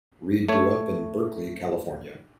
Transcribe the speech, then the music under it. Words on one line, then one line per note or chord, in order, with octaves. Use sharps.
Reid grew up in Berkeley, California.
A3 C#5